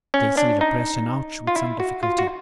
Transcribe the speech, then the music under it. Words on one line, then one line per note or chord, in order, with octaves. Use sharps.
Stacy repressed an "ouch" with some difficulty.
C#4
D4
D#4
F4
E4
F#4
F4
F#4